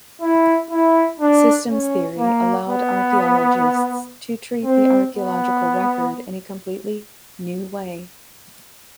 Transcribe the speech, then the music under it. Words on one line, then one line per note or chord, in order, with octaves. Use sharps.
Systems theory allowed archaeologists to treat the archaeological record in a completely new way.
E4
E4
D4
C#4
A#3
B3
C4
B3